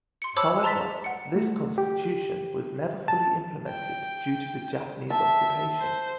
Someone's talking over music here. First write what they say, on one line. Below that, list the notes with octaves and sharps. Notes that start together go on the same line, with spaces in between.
However, this constitution was never fully implemented due to the Japanese occupation.
C6 C#7
C5 C#5 A5 B5 D6 E6
A5 A#5 C6 A6 B6
F#5 C#7
A3
G4
A5
G5
E5 A5
C5